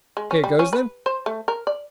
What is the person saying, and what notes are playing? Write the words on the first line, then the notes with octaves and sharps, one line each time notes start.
Here goes then ...
G#3
C#4
G3
C#4
B4
C5
A3
A#4
D5